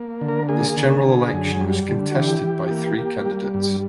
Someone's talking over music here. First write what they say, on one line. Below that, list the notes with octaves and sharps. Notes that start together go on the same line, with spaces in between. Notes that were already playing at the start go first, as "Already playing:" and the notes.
This general election was contested by three candidates.
Already playing: A#3
D3
A#4
A#3 G#4
D3
D3
F#2
G3
D3
F#4
E3 G4
E3
A#3
A#3
G3
G2